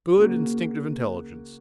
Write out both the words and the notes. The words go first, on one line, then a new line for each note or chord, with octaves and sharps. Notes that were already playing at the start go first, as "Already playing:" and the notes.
Good instinctive intelligence.
C#3 A#3 F#4